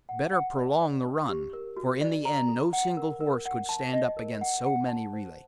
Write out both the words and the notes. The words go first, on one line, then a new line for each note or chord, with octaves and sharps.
Better prolong the run, for in the end no single horse could stand up against so many relays.
F#5
F#5
D5
D5
D4
G4
A#4
F#4
D5
A#5
A4
F#5
A#4
A#4
F#5
A5
D#5
A#4
F#5
F#5
A5
C5